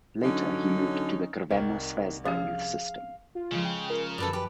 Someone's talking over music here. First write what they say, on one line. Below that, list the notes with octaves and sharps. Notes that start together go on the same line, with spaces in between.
Later he moved to the Crvena zvezda youth system.
D3 F#3 C#4 D#4
C2 D#3
F3 C#4 G4 G#4 F5
F4
C#3 F3 G#3
G5
F4 A#4
F#2 A4 B4 D5 A5
G4 B4